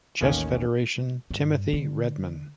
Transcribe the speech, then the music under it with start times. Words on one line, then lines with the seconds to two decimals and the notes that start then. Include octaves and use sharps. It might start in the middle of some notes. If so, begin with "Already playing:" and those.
Chess Federation, Timothy Redman.
0.21 A1 D#2 D#3 C#4 F5 G#5
1.31 G2
1.73 D3